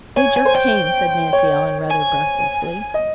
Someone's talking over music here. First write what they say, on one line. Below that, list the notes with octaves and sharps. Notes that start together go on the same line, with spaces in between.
"They just came," said Nancy Ellen rather breathlessly.
C#5 G#5
G#5
C5
G5
C#5
G#5
D#5